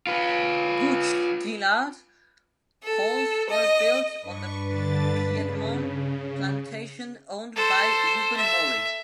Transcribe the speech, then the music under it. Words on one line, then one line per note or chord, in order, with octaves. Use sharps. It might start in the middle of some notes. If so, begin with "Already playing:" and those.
Gooch Dillard halls were built on the Piedmont plantation owned by Reuben Maury.
F4 B4
A4
D#5
G2 D4 B4 C#6
D3 A6
C#3
A4 C5
E5